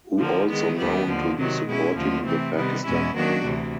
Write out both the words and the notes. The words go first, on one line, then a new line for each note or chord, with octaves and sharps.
Who also known to be supporting the Pakistan Army.
D3 F3 A#3
D#3 G#3 B3
D#2 D#3 G3 B3
D#2 D3 F3
C3 D#3 F#3
B2 G#3 C#4 E4
D#2 D3 F3 A3
C3 E3 A3 C4
C3 D#3 G3 B3
E2 B2 G#3 C#4 E4
D#3 F#3 A#3 D4 F#4
D2 C3 E3